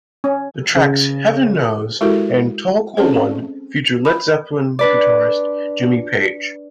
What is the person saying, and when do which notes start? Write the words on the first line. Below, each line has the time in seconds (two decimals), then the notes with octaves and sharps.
The tracks "Heaven Knows" and "Tall Cool One" feature Led Zeppelin guitarist Jimmy Page.
0.24 C#4
0.76 C#3
2.01 G#3 E4 F#4 G4 A4 A#4
2.97 C4 C#4 G#4 A4 C5
4.05 B5
4.79 D4 B4 D5